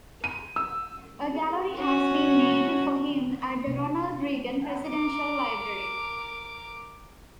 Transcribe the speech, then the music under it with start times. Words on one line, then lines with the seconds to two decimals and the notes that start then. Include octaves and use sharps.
A gallery has been named for him at the Ronald Reagan Presidential Library.
0.24 D#7
0.56 E6
1.79 C#4 F#4
3.67 C3
4.88 A#4 D6